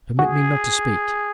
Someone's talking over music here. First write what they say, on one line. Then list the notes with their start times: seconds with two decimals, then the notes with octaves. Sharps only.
Permit me not to speak.
0.19 F#4 G#4